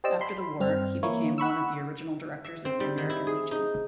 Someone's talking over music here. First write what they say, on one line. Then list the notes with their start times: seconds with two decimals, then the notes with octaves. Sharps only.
After the war, he became one of the original directors of the American Legion.
0.04 G4 C5 D5 D#5 E6
0.21 B5 C6
0.60 G2 C4 F6
1.03 E3 A#3 E4 C#5
1.38 F#5 B5 C#6 E6
2.45 E5
2.65 C4
2.80 G3
2.98 D#3
3.10 E4
3.27 G#4
3.51 D#4